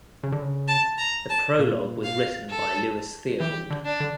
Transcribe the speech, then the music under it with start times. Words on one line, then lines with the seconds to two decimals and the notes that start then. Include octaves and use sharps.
The prologue was written by Lewis Theobald.
0.23 C#3
0.32 D3
0.42 C#3
0.68 A5
0.98 A#5
1.29 A5
1.59 A#2
2.04 F5
2.50 A4
3.40 E3 G4
3.70 D3
3.85 D4
4.00 D3